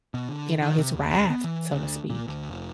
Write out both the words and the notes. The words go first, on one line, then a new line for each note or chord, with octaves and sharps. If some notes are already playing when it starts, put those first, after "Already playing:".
you know, his wrath, so to speak.
B2
D3
D#3
C3
D#2
C#2
B3
E3
D2
A#2
D2
F1